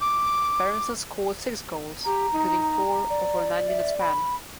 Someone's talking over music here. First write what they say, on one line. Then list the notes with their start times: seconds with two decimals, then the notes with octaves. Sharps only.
Berenson scored six goals, including four over a nine-minute span.
0.01 D6
2.05 G4 A#5
2.32 D#4
3.09 D5
3.68 E5
4.00 B5